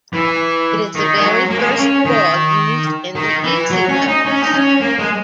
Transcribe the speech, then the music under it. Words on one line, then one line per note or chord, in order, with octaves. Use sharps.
It is the very first ball, used in the easy levels.
E3
D#3
G#3
F#3
A#3
G#3
A#3
C#4
D#3
D#3
E3
F#3
C#4
D#4
C#4
D#4
C#4
A#3
G#3